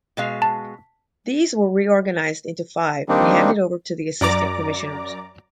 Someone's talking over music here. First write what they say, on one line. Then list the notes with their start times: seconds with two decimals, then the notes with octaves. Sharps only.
These were reorganised into five and handed over to the assistant commissioners.
0.17 B2 G#3 F5
0.42 A5
3.09 D#3 G3 A#3 C4 D4 D#4
4.21 F#2 D5 A#5 D6